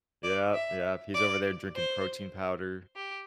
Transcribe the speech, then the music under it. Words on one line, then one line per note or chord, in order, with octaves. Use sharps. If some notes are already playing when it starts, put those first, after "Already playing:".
Yep, yep. He's over there drinking protein powder.
D5
E5
D5
C5
G4